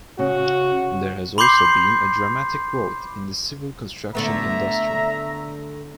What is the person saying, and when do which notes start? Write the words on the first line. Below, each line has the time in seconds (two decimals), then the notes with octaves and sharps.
There has also been a dramatic growth in the civil construction industry.
0.19 C#3 F#4
1.38 B5 C6 D6 G6 C7
4.15 D3 A3 B3 E5 A#5